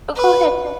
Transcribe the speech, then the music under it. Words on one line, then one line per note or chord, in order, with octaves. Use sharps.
Oh, go ahead, no.
B4